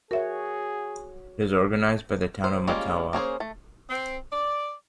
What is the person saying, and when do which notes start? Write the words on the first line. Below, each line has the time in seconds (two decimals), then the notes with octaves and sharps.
It is organized by the Town of Mattawa.
0.11 F#4 G#4 A#4 C#5 E5
2.44 C5
2.67 G3 G#3 A#3 C#4 F4
3.13 A#3 C#4 G#4 C5
3.40 A3
3.90 C4
4.32 D5